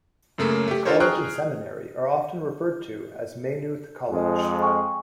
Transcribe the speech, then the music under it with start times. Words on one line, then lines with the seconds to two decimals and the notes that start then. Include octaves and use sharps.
The college and seminary are often referred to as Maynooth College.
0.38 F#2 C#3 A3 A#3
0.68 A3 G4
0.85 D4 F4 A4 A#4 C5 C#5
1.00 G#4 G5 A#5 C#6 F6 F#6
4.10 F2 G#3
4.62 G5 G#5 C#6